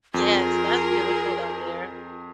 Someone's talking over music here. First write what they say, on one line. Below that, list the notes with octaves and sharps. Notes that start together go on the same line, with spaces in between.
Yes, that's beautiful down there.
F2 F4 G#4 A#4